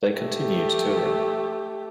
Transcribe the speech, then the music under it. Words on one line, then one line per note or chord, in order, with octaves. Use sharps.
They continued touring.
A3 G4